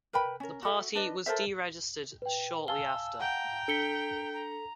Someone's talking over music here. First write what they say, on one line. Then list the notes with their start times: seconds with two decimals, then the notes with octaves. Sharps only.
The party was de-registered shortly after.
0.13 A#4 B4 G5 B5
0.40 C#4 A#4
0.63 F#4 A4 E5
0.95 D4 B4 D#5
1.26 A4 A#4 C5 E5
2.22 B4 G5
2.68 F5 G#5 A5 E6 G7
3.20 F#5 G5 A#5
3.68 D4 A4 B6 C#7 G7
4.33 A#5